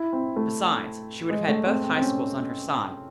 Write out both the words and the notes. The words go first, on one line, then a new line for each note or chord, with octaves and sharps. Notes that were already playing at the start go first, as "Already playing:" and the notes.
Besides, she would have had both High Schools on her side.
Already playing: E4
C4
A3
G#3
A3
C4
C4
C4
C#4